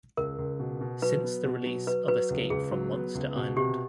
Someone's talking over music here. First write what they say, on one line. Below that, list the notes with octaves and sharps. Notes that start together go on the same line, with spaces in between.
Since the release of Escape from Monsta Island!
C#2 A#4
C#2
B2
B2
F#3 B4
B3
B2
F#3
F#3 B4
F#3 B4
C#2
C#2 G#4
F#3
B3
C#2
B2
C3 G4